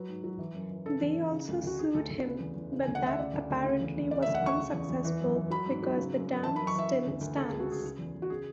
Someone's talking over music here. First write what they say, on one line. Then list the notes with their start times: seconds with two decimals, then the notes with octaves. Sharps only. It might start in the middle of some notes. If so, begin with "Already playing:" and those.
They also sued him, but that apparently was unsuccessful because the dam still stands.
Already playing: F#3 B4
0.09 G#2
0.24 F#3
0.39 E3
0.54 F#2
0.71 E3
0.86 C#3 A4
1.02 E2
1.17 E2
1.32 C#3
1.48 D2
1.63 D2 F#4
1.79 D3 G#4
1.94 D2 A4
2.10 D2 A4
2.25 C#3 B4
2.40 E2
2.56 E2
2.72 C#3
2.83 D2 G#5
2.95 F#5
3.02 D2 E5
3.18 C#3 D5
3.34 D2
3.50 D2
3.64 C#3
3.80 E2
3.96 E2
4.11 C#3 D5
4.22 E5
4.27 D2
4.35 F#5
4.42 D2 C#6
4.58 C#3
4.73 E2
4.89 E2
5.05 E3
5.21 F#2
5.36 E3
5.50 F#3 B5
5.66 G#2
5.83 F#3
5.97 C#3
6.13 F#2
6.28 F#2
6.43 E3 A5
6.56 B5
6.60 F#2
6.67 C#6
6.76 E3 E5
6.91 D3
7.07 D2
7.21 D2
7.37 C#3 A4
7.48 C#2 G#4
7.60 F#4
7.68 C#2 G#4
7.84 C#3
7.99 E2
8.15 E2
8.22 F#4
8.30 C#3 G#4